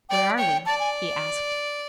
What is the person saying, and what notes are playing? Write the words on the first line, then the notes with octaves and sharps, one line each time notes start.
'Where are we?' he asked.
D5 G5
C#5 G5
D5 A5
G#5